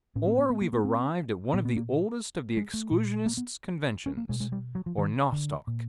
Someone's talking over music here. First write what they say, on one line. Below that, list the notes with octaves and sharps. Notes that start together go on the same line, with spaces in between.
Or we've arrived at one of the oldest of the exclusionists' conventions--or nostoc.
A2 C#4
C4
B3
B3
A#3
B3
C4
A#2 B3
B3
A#3
G#3
A3
A#2
A#3
B3
C#4
A#3
B2 G#3
G#3
G3
F#3
F3
D#3
D3
A#2